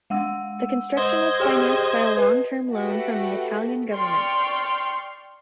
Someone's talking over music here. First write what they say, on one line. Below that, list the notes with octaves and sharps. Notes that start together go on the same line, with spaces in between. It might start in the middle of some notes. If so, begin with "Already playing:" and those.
The construction was financed by a long term loan from the Italian government.
G#3 F#5 E6
C5 D#5 G#6
G4 G#4 G5
D#7
B4 D#5
A3 F#4 G4 A4 B4
D5 G5 C6 C#6 F6